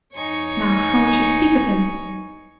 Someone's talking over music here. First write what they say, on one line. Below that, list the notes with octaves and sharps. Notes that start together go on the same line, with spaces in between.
"Now, how would she speak of him?"
E2 D#4 C#5 G#5 C#6